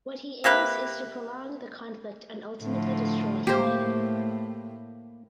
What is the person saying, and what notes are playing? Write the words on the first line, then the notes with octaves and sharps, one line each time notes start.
What he aims is to prolong the conflict and ultimately destroy humanity.
C3 A#3 G4 B4
A2 D3 F3
A2 A#3 G4 C5